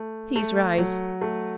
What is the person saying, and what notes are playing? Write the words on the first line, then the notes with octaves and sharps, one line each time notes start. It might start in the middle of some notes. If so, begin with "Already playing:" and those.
Please rise.
Already playing: A3
A3
F#3
A3